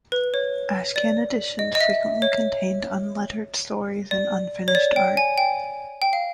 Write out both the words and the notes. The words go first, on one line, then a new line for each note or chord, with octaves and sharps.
Ashcan editions frequently contained unlettered stories and unfinished art.
B4
C#5
D5
D#5
D#5
E5
C#5
D5
C#5
D5
G5
G#5
G5
G5
F5